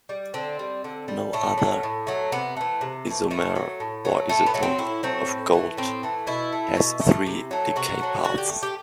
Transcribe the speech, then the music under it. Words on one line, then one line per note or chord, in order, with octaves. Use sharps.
No other isomer or isotope of gold has three decay paths.
G3
D3 C4
G3
D3
G3
A2 A3
F#3 A3
A2
F#3 A3
C3 B3
E3 A3
C3
E3 A3
A2 A3
F#3 A3
A2
F#3 A3
A2 A3
B3
F#3 A3
C4
A2 E4
F#3 A3 C4
A2
E3 A3
A2 C4
E3 A3
B2 E4
A3
B2
A3
C3
F#3 A3
C3 F#4
F#3 A3
D3 F#4
G4
A3
G4